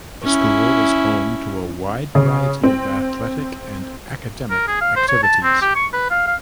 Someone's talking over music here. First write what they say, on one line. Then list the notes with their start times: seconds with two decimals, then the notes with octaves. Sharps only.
The school is home to a wide variety of athletic and academic activities.
0.23 C#4 E4
2.15 C#3
2.63 C4
4.50 A#4
4.68 G#4
4.81 F5
4.96 C5
5.08 C#5
5.23 A5
5.43 C4
5.61 G4
5.75 C#6
5.93 B4
6.10 F5
6.27 F5